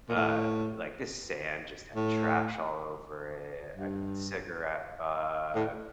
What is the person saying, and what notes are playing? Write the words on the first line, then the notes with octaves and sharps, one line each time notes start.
uh, like, this sand just had trash all over it, I mean, cigarette butt
A#2
A2
A2
G2
A2